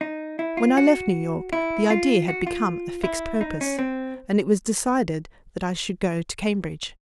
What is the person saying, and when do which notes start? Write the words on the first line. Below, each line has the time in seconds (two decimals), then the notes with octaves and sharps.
When I left New York the idea had become a fixed purpose; and it was decided that I should go to Cambridge.
0.01 D#4
0.39 E4
0.57 F4
0.77 F#4
1.53 E4
1.90 F4
2.28 F#4
2.47 F4
3.04 E4
3.41 D#4
3.61 C#4
3.79 C4